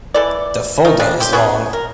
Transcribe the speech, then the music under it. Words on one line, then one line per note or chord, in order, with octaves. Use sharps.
The Fulda is long.
E3 A4 D5
A3 D#4 A#4
C#3 F3 C4 D4
C4 G4
B3 C#4 F#4 G#4
A#4